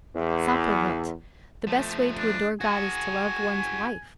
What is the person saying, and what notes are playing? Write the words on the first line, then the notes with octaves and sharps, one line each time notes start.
Saperlotte! the best way to adore God is to love one's wife.
E2
F3 A3
D4
F#4 G#4 G#5